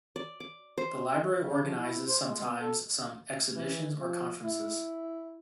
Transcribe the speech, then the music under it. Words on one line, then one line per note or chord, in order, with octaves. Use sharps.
The library organizes sometimes some exhibitions or conferences.
D5
D6
C5
C#3
F3
E4
C5
G#3
B3
A4
E3
F3
E4